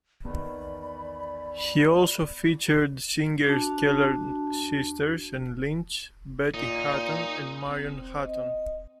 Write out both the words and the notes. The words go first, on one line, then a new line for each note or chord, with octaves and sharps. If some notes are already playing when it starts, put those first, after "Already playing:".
He also featured singers Keller Sisters and Lynch, Betty Hutton, and Marion Hutton.
E2 D#3 D5 B5
D4 F#4 A5
A#2 D#4
C4
D#5